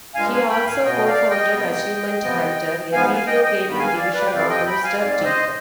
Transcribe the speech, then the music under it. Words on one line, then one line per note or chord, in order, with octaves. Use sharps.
He also co-founded Achievement Hunter, a video gaming division of Rooster Teeth.
G2 F3 G#3 F5 G#5
F5 G#5
G5 B5
F5 G#5
B2 B3 D#5 G5
D5 F5
D#5 G5
C3 G3 B3
C3 F3 B3
G#2 F3 B3 F5 G#5
F5 G#5
D#5 G5
D#5 G5
G2 D#3 B3
B5
F5 G#5
D5 F5
B4 D5
G5
F2 C3 F3 C4 D5 F5
D#5 G5
G5 B5
F5 G#5
G#2 G3 C4 D5 F5
C5 D#5